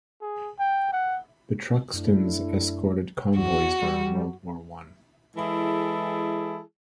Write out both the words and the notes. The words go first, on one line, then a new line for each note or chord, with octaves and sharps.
The "Truxtun"s escorted convoys during World War One.
G#4
G5
F#5
F#2 A3 D4 E4
E2 F#4
G3
E3 G#3 E4 G#4 A4